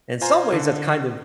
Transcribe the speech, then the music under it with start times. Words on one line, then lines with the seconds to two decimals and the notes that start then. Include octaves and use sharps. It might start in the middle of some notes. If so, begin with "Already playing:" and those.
In some ways, that's kind of, I
0.21 F4 C5 G#5 A#5
0.52 D3